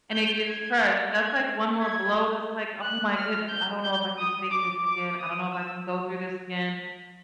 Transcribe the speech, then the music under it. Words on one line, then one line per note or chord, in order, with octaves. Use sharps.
and it gets crushed, that's like one more blow that's like, "Oh my goodness, I don't know if I could take this again, I don't know if I can go through this again."
G6
G#6
G#6
G#6
F#6
F6
G6
G6
D#6
D6
D6
D#6
E6